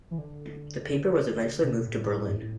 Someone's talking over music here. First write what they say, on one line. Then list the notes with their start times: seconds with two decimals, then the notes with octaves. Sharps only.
The paper was eventually moved to Berlin.
0.11 E3
0.18 D3
1.63 B2
1.87 A2
2.11 A2
2.28 G2
2.35 A2